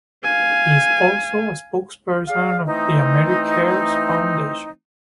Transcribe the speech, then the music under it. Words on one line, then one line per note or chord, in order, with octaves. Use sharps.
He is also a spokesperson of the AmeriCares Foundation.
F5 G#5
G#4 D5 F5
E3 A3 C4 D#4